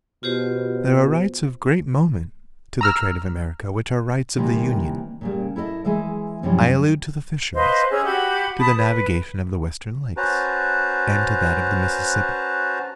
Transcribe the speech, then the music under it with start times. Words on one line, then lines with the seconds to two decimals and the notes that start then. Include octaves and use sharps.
There are rights of great moment to the trade of America which are rights of the Union--I allude to the fisheries, to the navigation of the Western lakes, and to that of the Mississippi.
0.23 B2 F4 G4 C5
2.81 A#5 E6 F6
4.36 C3 D#3 E3 G3 A#3
5.21 A#2 C#3 G3
5.56 E4 A4 A#4 D#5 E5
5.85 E3 G#3 G#4 E5
6.43 F#2 C3 E3 F3 G3 C#4
7.55 B4 C5 D#5 F5
7.90 C#4 G#4 E6
8.04 F#4 G4 F#5 B5
8.60 A5 B5 D#6
8.77 B4
10.17 C#4 F#4 B4 C5 A5 A#5